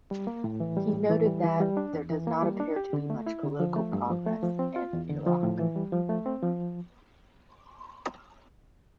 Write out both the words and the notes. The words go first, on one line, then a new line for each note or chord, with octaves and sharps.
He noted that, "there does not appear to be much political progress" in Iraq.
G3
A#3
A2
E3
G3
A2
E3
G3
E3
G3
D4
E2
E3
A#3
G3
D4
G4
D3
A3
E4
D3
F3
A3
G2
F3
A3
F3
C4
F4
E2
D3
F3
A2
E3
G3
F3
A3
C4
F3